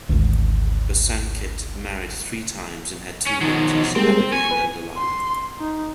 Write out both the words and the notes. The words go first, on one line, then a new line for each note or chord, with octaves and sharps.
Bosanquet married three times and had two daughters, Abigail and Delilah.
G#1 D2
C#4
B2 D#3 F3 F#3
G3 G#3 A#3 C4
G#5 C#6
B4
C6
D#4